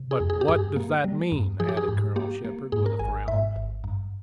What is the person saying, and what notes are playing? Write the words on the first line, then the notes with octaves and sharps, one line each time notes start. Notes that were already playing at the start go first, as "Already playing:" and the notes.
"But what does that mean?" added Colonel Shepard, with a frown.
Already playing: C3
G#4
F2
G#4
G4
G2 G#4
A#3
G3
G2
F3 G#4
G4
G#4
G#2
A#3 G4
A#3
G#2 G#4
A#4
G#1 G#5
G#2 E5
G#1
G2